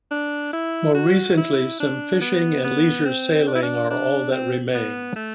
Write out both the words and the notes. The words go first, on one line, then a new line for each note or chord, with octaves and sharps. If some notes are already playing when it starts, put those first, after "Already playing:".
More recently, some fishing and leisure sailing are all that remain.
D4
E4
F#4
E4
D4
B3
B3
C4
D4
E4
D4
D4
C4
B3
A3